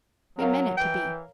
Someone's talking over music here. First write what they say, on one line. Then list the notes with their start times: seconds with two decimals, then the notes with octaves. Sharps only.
We meant it to be.
0.39 F#3 A#4 C#5 F5
0.77 E3 G5